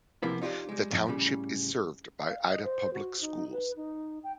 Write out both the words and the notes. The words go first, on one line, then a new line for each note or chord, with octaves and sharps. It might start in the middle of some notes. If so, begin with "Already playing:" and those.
The township is served by Ida Public Schools.
C3 F3 A#3 B3 E4
D#4 F4 G4 D5
G3 G#3
F2
A2 C#3 G3
F5
D#5
C5
F#4
D#4
B4
D#4
G5